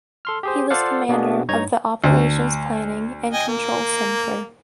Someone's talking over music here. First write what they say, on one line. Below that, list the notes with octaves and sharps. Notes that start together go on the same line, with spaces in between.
He was commander of the Operations Planning and Control Center.
A4 C6 F6
G4 G#4 C5
F4 A4 C5 D5 F5 F#5
B2 A#3 B3 D4 F#4 G#4
G2 D#4 C#5 A#5 G#6
D2
D#5 G5 G#5
A#3